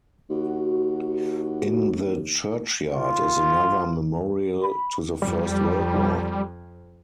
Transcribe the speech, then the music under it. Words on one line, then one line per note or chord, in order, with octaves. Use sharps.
In the churchyard is another memorial to the First World War.
D#2 F#4
F4
B5
F2 G3